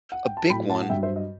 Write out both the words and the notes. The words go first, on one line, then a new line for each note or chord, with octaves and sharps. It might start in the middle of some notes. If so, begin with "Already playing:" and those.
A big one,
F#5
G5
A5
A2 F#3 G5 B5
F#5 A5
F#5
G2 F#3 E5 G5
C5 E5
D#5